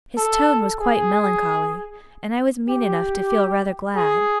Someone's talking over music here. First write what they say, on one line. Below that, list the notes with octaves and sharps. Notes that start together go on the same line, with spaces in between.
His tone was quite melancholy, and I was mean enough to feel rather glad.
A4
G#4
G4
G#4